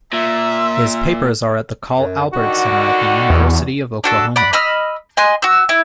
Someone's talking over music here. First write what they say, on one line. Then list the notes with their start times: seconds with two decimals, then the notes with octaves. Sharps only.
His papers are at the Carl Albert Center at the University of Oklahoma.
0.13 A#2 E5
1.98 F#2
2.33 D3 D#3 F#4
3.30 E2
4.04 D4 F#4 A4
4.36 D5 F#5 B5
4.53 D#5 B5 E6 F6
5.17 D#5 G#5 C6 F#6
5.42 F#4 E6
5.69 E4